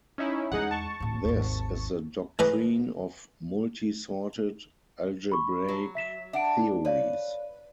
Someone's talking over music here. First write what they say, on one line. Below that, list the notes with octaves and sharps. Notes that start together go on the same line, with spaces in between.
This is the doctrine of multi-sorted algebraic theories.
C#4 D#4 E4
E2 G#3 D#4 G#4 F#5
A5 C#6
D1 A1
G#1 D#2
A2 E3 G#4 B4 A#5 B5
B5 C#6
F#3
E5 B6 E7
D4 E5 F#5 D7
D#4
B4 C#5 D5 F5